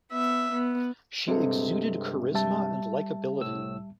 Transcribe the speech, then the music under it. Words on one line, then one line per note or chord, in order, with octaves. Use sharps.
She exuded charisma and likability.
B3 E5
B3
G2 C3 G#3 C4 A4
G3 E5 A5
C2 A2 E6